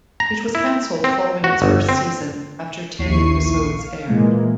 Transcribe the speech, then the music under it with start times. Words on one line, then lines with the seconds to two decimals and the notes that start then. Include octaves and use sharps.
It was cancelled following its first season, after ten episodes aired.
0.20 A#5
0.55 E4
1.04 C4
1.44 F#4
1.62 G1
1.89 C4
2.98 A#1 D#2 E4 C#6 C7 D#7
3.78 F5
4.08 A#2 E3 G#3 A#3